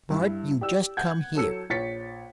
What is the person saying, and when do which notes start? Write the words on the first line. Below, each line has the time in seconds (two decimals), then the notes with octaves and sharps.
"Bart, you just come here!"
0.10 G2 E4
0.61 G4 D5 E6
0.97 F#5 G6 G#6
1.35 F#3 A4 E6 C#7
1.70 A#1 C#5 A6 B6 C#7